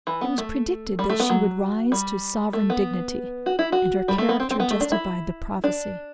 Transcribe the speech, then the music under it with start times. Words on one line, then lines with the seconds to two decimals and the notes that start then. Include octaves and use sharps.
It was predicted that she would rise to sovereign dignity; and her character justified the prophecy.
0.07 E3
0.21 B3
0.38 A3
0.99 G3
1.10 A3
1.20 B3
1.30 F#3
1.92 G3
2.53 A3
2.70 B3
3.46 F#4
3.59 E4
3.72 F#4
4.08 G3
4.18 A3
4.29 B3
4.40 C4
4.50 C4
4.60 B3
4.71 A3
4.81 D4
4.92 E4
5.64 D4